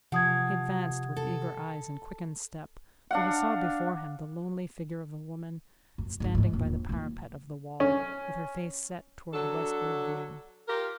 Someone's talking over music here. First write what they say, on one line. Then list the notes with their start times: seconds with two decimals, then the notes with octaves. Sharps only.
He advanced with eager eyes and quickened step; for he saw before him the lonely figure of a woman, standing by the parapet of the wall, with her face set toward the westward view.
0.12 C3 F3 F#5 D#6 G#6
1.16 A4
3.11 D4 F5 F#5
5.98 F#2
6.20 G#2 D#3
6.35 D1 G#2
6.53 E1 A#1
6.89 A#2 D#3
7.80 C#4
9.33 F#3 D4 A4
10.68 F4 G4 A#4